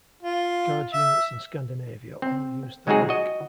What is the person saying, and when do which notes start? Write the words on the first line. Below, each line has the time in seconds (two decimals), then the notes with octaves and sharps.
Guards units in Scandinavia all use the rank.
0.23 F4
0.93 E5
2.22 C4
2.87 F#3 G#3 C4 D#4 F#4 G#4
3.09 F#4 D#5